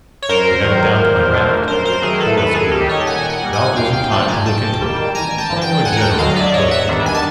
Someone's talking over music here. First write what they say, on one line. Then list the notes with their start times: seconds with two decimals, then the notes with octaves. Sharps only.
I got it down to my raft, whole as it was, without losing time to look into it, for I knew in general what it contained.
0.23 C#5
0.29 F#2 A#4 C5
0.64 D#3 F#3
0.98 A#2
1.33 F3 A3 D4
1.68 F#2 A#4 C5
1.85 A#4 C5
2.02 D#3 F#3 A3 G#4 A#4
2.20 A4 B4
2.37 F#2 A4 B4
2.54 G#4 A#4
2.71 D#3 G3 A#3 D#4 G4 A4
2.89 C#5 D#5
3.00 A5
3.07 A#2 F#5 G#5
3.23 G5
3.30 F#5 G#5
3.41 G3 A#3 D#4
3.53 F#5 G#5
3.76 D#2 F5 G5
3.93 F5 G5
4.11 D3 F3 A3 G5 A5
4.28 G#5 A#5
4.46 G#2 G5 A5
4.81 D#3 G3 A#3
5.14 A1 G#5 A#5
5.31 A#5
5.38 G5 A5
5.50 G2 D3
5.61 G5 A5
5.84 D2 F#5 G#5
5.97 A#5
6.01 G5 A5
6.19 D3 F#3 D#5 F5
6.36 D5 E5
6.54 G#2 C#5 D#5
6.71 E5 F#5
6.89 D#3 G3 B3 D4
7.06 G#5
7.15 A5